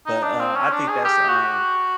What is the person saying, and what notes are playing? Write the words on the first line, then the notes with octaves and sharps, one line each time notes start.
But, uh, I think that's, um,
D#4
D4
C4
C#4
D4
G#4
G4
F#4